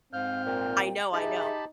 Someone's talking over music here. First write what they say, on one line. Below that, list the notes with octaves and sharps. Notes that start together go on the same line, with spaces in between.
I know, I know.
G#2 C4 F5 F6 G6
A#2 G5
D#4 G4 G#4 E5 A5 B5